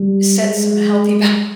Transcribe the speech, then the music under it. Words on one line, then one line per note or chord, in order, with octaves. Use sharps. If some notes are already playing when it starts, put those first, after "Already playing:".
set some healthy boun
Already playing: G3
G#3